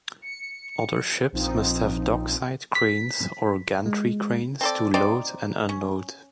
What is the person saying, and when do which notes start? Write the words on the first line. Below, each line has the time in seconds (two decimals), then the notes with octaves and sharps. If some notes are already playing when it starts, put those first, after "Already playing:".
Other ships must have dock side cranes or gantry cranes to load and unload.
0.22 C#7
1.32 A#1 F3 C4 D#4
2.75 B6
3.86 G#3
4.61 C4 A4 D5
4.94 C4 D#4 C5 D5
5.69 C#4